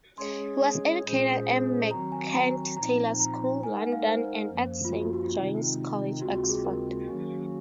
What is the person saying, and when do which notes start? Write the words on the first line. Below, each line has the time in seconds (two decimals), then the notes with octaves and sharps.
He was educated at Merchant Taylors' School, London and at Saint John's College, Oxford.
0.18 G#3 C#4 G#4 C#5 C6
1.05 A#2 G#3 C#4 G#4 C5
1.91 D#3 F#3 C4 F#4 A#5
2.12 G#5
2.34 A#5
2.77 A#2 F3 C4 D#4 A#5
3.20 A#5
3.63 G#3 D#4 A#4 G#5
3.77 F#5
3.92 F5
4.07 C5
4.49 F#2 F3 A#3
4.85 F4
4.92 F#4
5.03 F4
5.13 F#4
5.24 F4
5.35 C3 D#3 G#3 C4 D#4
6.21 D#2 C#3 G#3 C4 F4 F#4
6.35 F#4
6.49 G#4
6.64 A#4
7.08 D#3 F#3 A#3 C#4 F#4